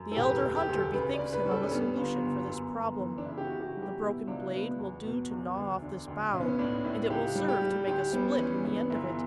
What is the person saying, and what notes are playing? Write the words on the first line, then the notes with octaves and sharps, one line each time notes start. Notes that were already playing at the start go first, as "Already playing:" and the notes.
The elder hunter bethinks him of a solution for this problem. The broken blade will do to gnaw off this bough, and it will serve to make a split in the end of it.
Already playing: F#2
A4
E1 G4
B4
A4
E1
G4
D2
A4
C#3 B4
D5
C#3
B4
G3
A4
C#4
G2 B3
G1
G1
F#2
G1
E3
D4
C#3 E4
G4
F#4
C#3
G4
F#4
G3
G4
B2 E4
C#2 D4
F#3 B3
E2
B2
E2
D2
D3
D2
B1 C#4
B3
C#4
A2 D4
A2 E4
C#2 G4
G3
G4
G3
D2 G4
G3 B3
E3 C#4
G2 B3
G1 E4